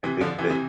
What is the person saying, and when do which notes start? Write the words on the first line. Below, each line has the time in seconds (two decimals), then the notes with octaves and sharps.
I think that
0.04 C3 E3
0.21 D3 F3
0.39 C3 E3
0.50 C3 E3